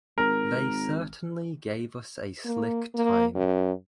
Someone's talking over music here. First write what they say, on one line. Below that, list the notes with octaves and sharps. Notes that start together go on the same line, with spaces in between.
They certainly gave us a slick time.
G#1 A#4
A#3
A#3
F#2